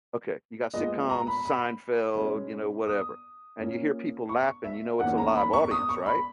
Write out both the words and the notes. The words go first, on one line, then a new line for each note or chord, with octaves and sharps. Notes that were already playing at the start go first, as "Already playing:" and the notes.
Okay, you got sitcoms, Seinfeld, you know, whatever, and you hear people laughing, you know it's a live audience, right?
A#2 G#3 B3 D#5
A#5
B5
B5
B2 G#3 C#4
D#6
A#2 A#3 C#4
C#6
E5
E2 D#3 A#3 C#4 F#5
A#5
B5
C#6
D#6
C#6
B5